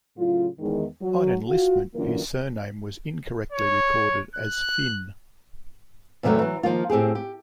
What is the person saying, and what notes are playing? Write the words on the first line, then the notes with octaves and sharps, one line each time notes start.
On enlistment his surname was incorrectly recorded as "Fynn".
A2 C#3 F#3 F4
E2 D#3 G#3
F#3
F4 F#4
F#2 D3 E3 A#3 F4 A#4
C#5
F#6
E2 C3 D#3 F#3 A3 D#4
E3 F#3
D#3 F3 A#3 F4
A2 C4 G4 G#4
G4